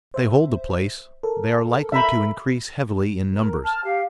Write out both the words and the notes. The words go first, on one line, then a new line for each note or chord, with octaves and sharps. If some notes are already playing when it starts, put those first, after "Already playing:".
If they hold the place they are likely to increase heavily in numbers.
C5 E5
A4 A#4
E5 A#5 B5
A#4
A5 F6
G4 F5